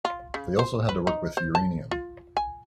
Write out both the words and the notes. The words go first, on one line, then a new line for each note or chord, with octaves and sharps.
They also had to work with uranium.
F4
C#3
C5
B4
D#4
C5
A5
F4
G#5